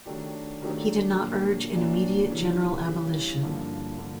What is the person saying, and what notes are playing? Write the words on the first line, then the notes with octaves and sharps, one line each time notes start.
He did not urge an immediate, general abolition.
D#3 F#3 A3 D4 G4
D#3 F#3 A3 D4 G4
A#2 F#3 A#3 D4
A#2 F#3 A#3 D4
C#3 E3 G3
C#3 E3 G3
G2 D3 F3 A#3
D3 F3 A#3